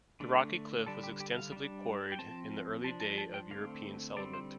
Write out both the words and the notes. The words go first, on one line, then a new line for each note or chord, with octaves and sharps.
The rocky cliff was extensively quarried in the early day of European settlement.
D3 A3 D4
D3 G3 D4 A4
G4
G4
F5
G3 D4
G5
F3 C4 A5
F3 D4 A5
A5
A5
G5
D3 A3 C4 F5
D3 G3 C4 D5
C5